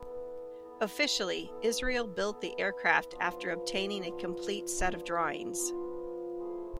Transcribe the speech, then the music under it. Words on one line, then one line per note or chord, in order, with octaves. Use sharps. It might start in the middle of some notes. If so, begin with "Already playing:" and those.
Officially, Israel built the aircraft after obtaining a complete set of drawings.
Already playing: B3 E4 A4
B3 E4 A4
B3 E4 A4
B3 E4 A4
F3 B3 D4 F4
F3 B3 D4 F4
F3 B3 D4 F4
F3 B3 D4 F4
A3 E4 G#4 C5